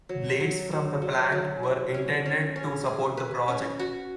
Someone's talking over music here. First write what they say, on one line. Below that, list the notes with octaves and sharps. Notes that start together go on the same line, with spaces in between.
Blades from the plant were intended to support the project.
F#3
F#3
F#3
F#3
F#3
E4
C#4
C#4
C#4
G#4
B4
C#4
F#4